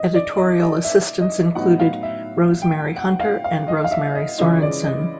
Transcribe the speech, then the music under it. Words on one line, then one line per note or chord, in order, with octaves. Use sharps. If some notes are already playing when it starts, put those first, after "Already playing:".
Editorial assistants included Rosemary Hunter and Rosemary Sorensen.
Already playing: D#5
D5
D#5
D#5
E5
D#5
A2 F#3 B3 D#4 F#5
F5
E5
G5
F#5
F5
F5
D#5
F5
E5
D#5
C#3 E3 G#3 C#4 F4 D#5
D5
D#5